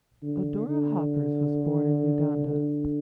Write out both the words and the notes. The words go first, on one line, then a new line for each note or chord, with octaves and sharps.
Odora Hoppers was born in Uganda.
D3
D3
D3